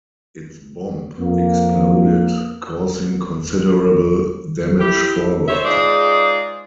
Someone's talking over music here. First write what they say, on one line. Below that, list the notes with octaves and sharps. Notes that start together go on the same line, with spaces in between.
Its bomb exploded, causing considerable damage forward.
F2 A#3
E4 G4
A4 C5 C#5 E5
G#3 D#4 F4 G#4 C5 D5